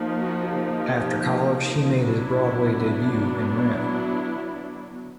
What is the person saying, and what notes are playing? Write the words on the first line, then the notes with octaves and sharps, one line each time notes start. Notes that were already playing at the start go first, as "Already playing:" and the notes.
After college, he made his Broadway debut in Rent.
Already playing: F3 A#3 D#4
F#4
G4
F#3 B3 D4 E4
E4